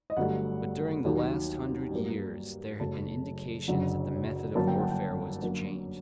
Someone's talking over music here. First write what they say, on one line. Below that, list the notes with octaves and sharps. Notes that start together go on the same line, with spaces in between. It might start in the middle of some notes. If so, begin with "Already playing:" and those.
But during the last hundred years there had been indications that the method of warfare was to change.
D#5
G1 G2 F#3 A3 F#5
D#2 D#3 F#3
G2 F#3 A#3
F#1 F#2 F#3 A3 A5
F#1 F#2 D3 F#3
G1 F#2 F#3 A#3 A5
G5
F#5
G5
F#2 D3 F#3 A#3